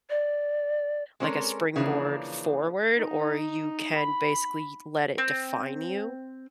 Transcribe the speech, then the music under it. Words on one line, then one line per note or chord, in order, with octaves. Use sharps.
like, a springboard forward, or you can basically let it define you.
D5
G#3 C4 C#4 A4 A#4 D5
C#3 E3 F3 A3 A#3 D4
D#4
B5
C4